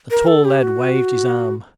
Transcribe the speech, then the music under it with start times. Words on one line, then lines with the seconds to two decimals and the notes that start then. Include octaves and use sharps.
The tall lad waved his arm.
0.11 A#4
0.27 A4
0.45 G4
0.62 F#4